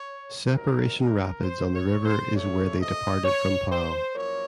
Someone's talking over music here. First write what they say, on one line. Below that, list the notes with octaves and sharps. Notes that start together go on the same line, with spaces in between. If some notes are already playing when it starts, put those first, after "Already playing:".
Separation Rapids on the river is where they departed from Powell.
Already playing: C#5
C3 D#3 F#3 A#4
A#4
C5
C#5
C5
C3 F3 A3 C#5
D#5
C#5
C5
F#2 F3 A#3 C#5